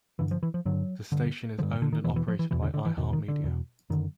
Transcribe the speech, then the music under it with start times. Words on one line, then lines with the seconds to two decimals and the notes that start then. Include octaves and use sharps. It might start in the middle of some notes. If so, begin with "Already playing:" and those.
The station is owned and operated by iHeartMedia.
0.19 G2 D3 E3
0.31 F3
0.43 E3
0.54 F3
0.65 G2 D3 F#3
1.12 G2 D3
1.58 D3 F3
1.63 G2
1.82 D3
1.93 D#3
2.04 E2 B2 E3
2.16 E3
2.28 F3
2.39 E3
2.51 E2 B2 E3
2.62 D3
2.74 D3
2.86 E3
2.97 E2 B2 D#3
3.13 D#3
3.28 D3
3.44 E2 B2
3.90 F#2 D3 D#3